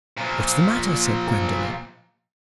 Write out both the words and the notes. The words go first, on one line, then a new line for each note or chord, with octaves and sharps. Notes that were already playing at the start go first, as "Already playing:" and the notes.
"What's the matter?" said Gwendolen.
A#2 F3